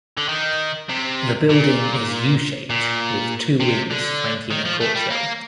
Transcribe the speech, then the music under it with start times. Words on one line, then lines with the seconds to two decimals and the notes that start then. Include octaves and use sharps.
The building is U-shaped with two wings flanking a courtyard.
0.17 D3
0.29 D#3
0.89 C3
1.49 A#2
2.70 A#2
3.60 C3
3.90 D3
4.51 D#3
4.65 F3
4.81 A3
4.95 G3
5.10 A#3